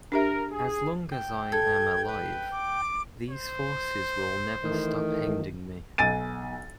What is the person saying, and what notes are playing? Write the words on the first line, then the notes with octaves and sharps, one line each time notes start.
As long as I am alive, these forces will never stop hounding me.
D4 G4 A#4 E5
G#4
G5
A4 G#6
B4
D6
C5
D#3 E3 A3
B1 G#5 A6 D#7